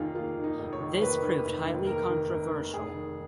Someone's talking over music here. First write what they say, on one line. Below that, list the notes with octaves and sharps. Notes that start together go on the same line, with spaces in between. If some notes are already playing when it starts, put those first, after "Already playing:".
This proved highly controversial.
Already playing: F1 D#2 D#3 A#3 D#4 F4 G#4
A#3 F4
D#3
D#4
F1
C#5
D#2
C#5
A#3 B4
D#3
F1
D#2
A#3 A#4
D#3
F1
D#2
F1 G#4
D#3